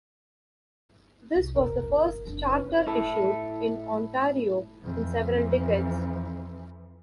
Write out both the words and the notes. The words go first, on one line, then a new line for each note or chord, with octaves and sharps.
This was the first charter issued in Ontario in several decades.
C2
F1 B2 A#4
G1
F#1 D4
C#4 B4
A2 E4 A4
F2 E3